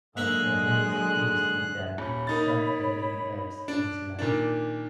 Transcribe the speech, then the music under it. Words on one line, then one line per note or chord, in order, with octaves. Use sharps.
Of the hens pleased with that, Some laid eggs in his lap.
D3 F#3 G#3 A#3 G#4 E5 F#6
D#1 C#5 B5
A#3 D#4 A6
D4
A#2 D#3 D4